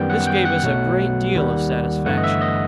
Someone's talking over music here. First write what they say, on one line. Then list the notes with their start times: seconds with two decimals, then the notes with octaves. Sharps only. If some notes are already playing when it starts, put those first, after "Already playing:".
This gave us a great deal of satisfaction.
Already playing: F#2 D#3 G3 B3 G5
0.10 F#5
0.27 G5
0.45 F#5
0.63 B1 B2 F#3 A3
1.34 D#2 D#3 G3
2.06 G1 G2 E3 A3 F#5
2.18 D#5
2.24 E5
2.42 D#5